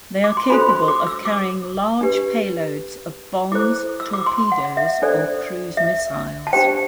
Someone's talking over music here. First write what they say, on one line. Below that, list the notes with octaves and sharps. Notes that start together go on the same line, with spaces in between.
They are capable of carrying large payloads of bombs, torpedoes or cruise missiles.
D6
C6
D4 F#4 A4 C5 B5
C6
D6
E6
D6
D4 G4 B4
E4 A4 C5 D6
E6
D6
C6
F#5
E5
D4 A4 C5 D5
E5
A5
D4 G4 C5 G5